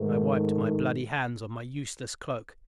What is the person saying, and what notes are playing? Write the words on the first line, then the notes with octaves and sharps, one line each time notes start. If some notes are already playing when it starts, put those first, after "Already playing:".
I wiped my bloody hands on my useless cloak.
Already playing: G#2 D#3 A3